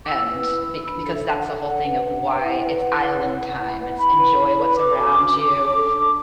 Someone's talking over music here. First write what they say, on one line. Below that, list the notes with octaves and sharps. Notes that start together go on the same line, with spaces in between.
and be because that's the whole thing of why it's island time, it's enjoy what's around you.
D6
E4 E6
B4
E4
B4
D4 B5
A4
E5
D4
F#5
A4
D4
B4
D4
B4
E4 F#5
B4
E4
B4
E4
B4
E4
B4
E4 B5
B4
E4
B4
A4 D6
F#4
D4
D4
D4
A4
D4